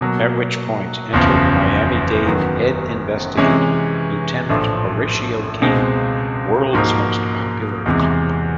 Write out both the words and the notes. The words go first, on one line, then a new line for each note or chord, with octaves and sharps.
At which point, enter Miami-Dade Head Investigator, Lieutenant Horatio Caine, world's most popular cop.
B2 F#3 A#3
F#1 E2 C#3 F3
F#2 D#3 F#3 B3
C3 E3 G#3 C#4
A#1 A2 F3 A3 D4
C#2 B2 G#3 C4
G#2 F3 A#3 D#4 F#4
E2 C3 E3 G#3